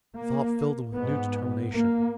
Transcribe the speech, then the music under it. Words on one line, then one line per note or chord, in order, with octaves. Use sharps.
The thought filled them with new determination.
A#3
G#2 B3
A#3